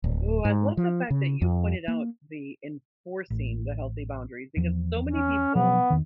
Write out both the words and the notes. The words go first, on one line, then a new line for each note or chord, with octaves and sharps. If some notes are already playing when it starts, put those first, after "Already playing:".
Ooh, I love the fact that you pointed out the enforcing the healthy boundaries because so many people
D1
G#2
F3
C#3
F2
A#3
A1
E2 F3
C#4
B2 F3 F#3 B3
E2 D#3